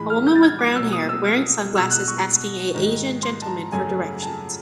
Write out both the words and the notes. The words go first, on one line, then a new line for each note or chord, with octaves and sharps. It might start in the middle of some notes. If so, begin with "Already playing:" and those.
A woman with brown hair, wearing sunglasses asking a asian gentleman for directions.
Already playing: A2 E3 G#3 B5
F6
G6
A6
G#6
D6
B2 F#3 A#3 E6
D#6
E6
F6
B2 G#3 E6
F#6
C#6
G#2 D#3 G#3
C6
A5
A#5
F#2 C#3 F#3 A3 G#5
A5